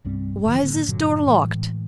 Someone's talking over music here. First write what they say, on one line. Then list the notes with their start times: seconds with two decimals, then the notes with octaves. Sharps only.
Why is this door locked?
0.04 C2 G2 G3 C4
0.45 G#2 D3 E3 F3
0.63 A2 D3 A#3
0.88 G2 A#2 D3 F#3
1.26 A2 E3 G#3